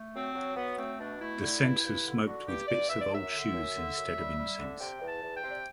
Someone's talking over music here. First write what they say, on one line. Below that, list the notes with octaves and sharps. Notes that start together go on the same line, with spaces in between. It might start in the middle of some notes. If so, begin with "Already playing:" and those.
The censers smoked with bits of old shoes instead of incense.
Already playing: A3
F#3 C4
F#3
F#3 B3
A3 C4
B2 D4
A3 E4
D3
G2
G2
D3
D3 F#4
G2 G4
G2 D5
G2 E5
D5
F#2 E5
D3
F#2
D3
F#2
G3
G3
D3
C3 G5
E2
A5
E2
G5
C3 C5
D5